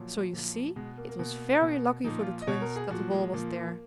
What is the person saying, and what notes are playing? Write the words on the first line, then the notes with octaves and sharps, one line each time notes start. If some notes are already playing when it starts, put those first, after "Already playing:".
So you see it was very lucky for the Twins that the wall was there.
Already playing: A#2 F3 F#3
A#2 F3
B2 G#3
A#3
A#3
B2 A#3
B2
A#2 F3 D#4
F4
D#5
B2 C#5
A#4
G#4
A#2 F3 F#4
G#3
A#2 F3 A#3